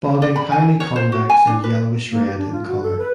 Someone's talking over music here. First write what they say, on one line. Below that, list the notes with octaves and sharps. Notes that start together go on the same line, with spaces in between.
Body highly convex and yellowish red in color.
D5
B5
G#5
C#5
C5
F#4
G#5
D4
B4
A#3
G4
D4
F4
F#4
A4
B4